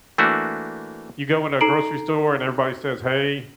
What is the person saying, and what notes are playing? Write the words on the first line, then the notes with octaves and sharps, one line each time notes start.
you go in a grocery store, and everybody says hey.
E3 A3 A#3 D4 F#4 E5
D#4 A4 A#5 C7 D7 F#7